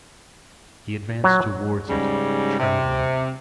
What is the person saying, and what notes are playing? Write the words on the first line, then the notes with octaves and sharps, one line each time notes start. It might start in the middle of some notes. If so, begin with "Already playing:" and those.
He advanced towards it trembling.
F#3
G#2 C#3 G3
C3